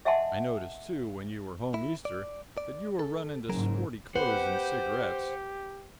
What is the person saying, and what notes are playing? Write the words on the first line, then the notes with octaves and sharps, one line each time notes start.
I noticed, too, when you were home Easter, that you were running to sporty clothes and cigarettes.
D#5 E5 F#5 G#5 A5 C6
E4
D5
D5
A4
F#1 G#2 F#3 G#4 A#4
G4 B4 C5 F#5